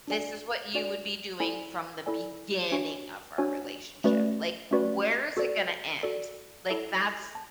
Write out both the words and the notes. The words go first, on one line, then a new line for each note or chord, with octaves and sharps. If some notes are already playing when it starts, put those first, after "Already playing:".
"this is what you would be doing from the beginning of our relationship. Like, where is it gonna end?" Like, that's
D4 F#4 A4 D5 G#5
D4 F#4 A4 D5 G#5
E4 A4 D5 G#5
E4 A4 D5 G#5
D4 F#4 C#5 G#5
D4 F#4 C#5 G#5
A3 C#4 F#4 B4 D5
A3 C#4 F#4 B4 D5
F#4 A4 D5
F#4 A4 D5
E4 A4 E5 A5
A5